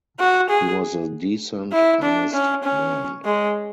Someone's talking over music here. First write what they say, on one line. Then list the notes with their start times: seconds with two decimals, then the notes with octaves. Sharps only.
He was a decent honest man.
0.19 F#4
0.50 G#4
1.72 E4
2.02 D4
2.33 C#4
2.64 C#4
3.25 G#3